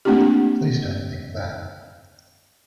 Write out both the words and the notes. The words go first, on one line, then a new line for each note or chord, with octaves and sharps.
Please don't think that.
A3 A#3 C4 D4 F4 G4